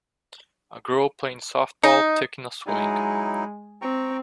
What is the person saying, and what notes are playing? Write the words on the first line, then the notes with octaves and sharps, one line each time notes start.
A girl playing softball, taking a swing.
D#4
F#3 G#3 D#4 E4
C4 G5 A#5 C#6